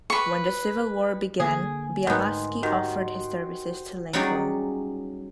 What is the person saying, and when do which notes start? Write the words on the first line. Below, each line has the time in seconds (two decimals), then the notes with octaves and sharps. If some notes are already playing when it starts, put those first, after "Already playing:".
When the Civil War began, Bielaski offered his services to Lincoln.
0.10 B4 C#6
1.40 D3 A#3 G#4 D5 G#5
2.07 D2 G#2 D#3 B3 A#4 C5 D#5
2.63 D#3 F#4 G4 C5
4.13 F#3 G3 C#4 D#4 G#4 D5